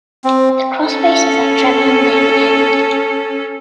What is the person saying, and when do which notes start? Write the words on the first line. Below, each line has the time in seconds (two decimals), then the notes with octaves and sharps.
The cross base is at Trevellan Lane End.
0.24 C4
0.86 C#4 A4